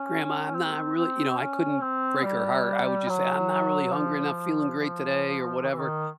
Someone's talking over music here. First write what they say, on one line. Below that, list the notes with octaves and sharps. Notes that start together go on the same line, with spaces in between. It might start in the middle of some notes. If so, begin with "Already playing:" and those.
"Grandma, I'm not really" you know, I couldn't break her heart. I would, just, say, "I'm not really hungry, I'm not feeling great today or whatever."
Already playing: C#4
C4
C4
C#4
C4
G3
F#3
F3
F3
D#3
E3
D#3